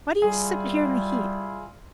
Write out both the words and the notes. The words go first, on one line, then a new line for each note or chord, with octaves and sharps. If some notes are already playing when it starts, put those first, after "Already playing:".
Why do you sit here in the heat?
G3 E4 F4 G#4